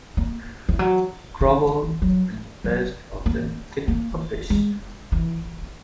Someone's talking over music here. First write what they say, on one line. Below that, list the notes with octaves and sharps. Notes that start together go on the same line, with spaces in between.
Grovel, and the best of them get uppish.
A#3
E3
F#3
D#3
F#3
F#3
A#3
A#3
G#3
E3